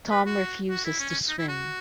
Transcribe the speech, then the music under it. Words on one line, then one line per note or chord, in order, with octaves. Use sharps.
Tom refuses to swim.
B4
F#4
F#4
E4
C#4
C#4
D#4
E4
F#4